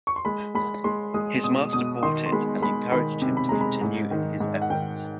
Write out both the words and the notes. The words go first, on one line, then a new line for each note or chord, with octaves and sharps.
His master bought it and encouraged him to continue in his efforts.
C#6
C6
G#3 B5
G#3 B5
G#3 C6
G#3 D#6
B2 D#6
B2 D#6
D#3 C6
C6
G#3 B5
G#3 B5
D#3 B5
C3
B5
G#3 A#5
B5
G#2
D#3
G#2
F#5
D#3 G5